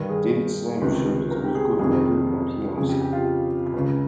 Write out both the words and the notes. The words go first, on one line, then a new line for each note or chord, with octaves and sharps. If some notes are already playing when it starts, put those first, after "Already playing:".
David Snyder served as musical director and pianist.
Already playing: G2 D#3
G#4
C#2 C3 D#3
A#4
G4
G#4
F2 C3 D#3 G#4
F2 C#3 G#4
G4
G4
F4
C#2 C#3